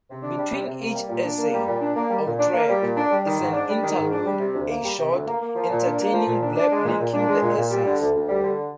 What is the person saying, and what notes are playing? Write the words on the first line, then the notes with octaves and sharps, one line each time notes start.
Between each essay, or track, is an "interlude"-a short, entertaining blurb linking the essays.
C3
D4
G3
C3
C3
A#3
G3
A#2
D4
A#3
G3
A#2
D4
A#3
G3
A#2
D4
A#3
G3
A#2
D4
G3
D#3
G#2
D4
G3
D#3
G#2
D4
G3
C3
D2
A#3
G3
C3
D2
A#3
A#3
F3
A#2
D4
A#3
F3
A#2
D4
D4
G#3
A#2
A#2
D4
G#3
A#2
A#2
G3
D3
D2
D2
G3
D3